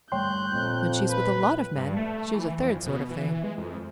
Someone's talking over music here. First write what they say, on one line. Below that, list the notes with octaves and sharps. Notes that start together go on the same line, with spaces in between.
When she is with a lot of men, she is a third sort of thing.
G1 G3 A3 C#5 G5 C6 F#6 G6
A#1 F2 A#2
B4 B5
G2
A3
E3
F2
B2
E3
G#3
F2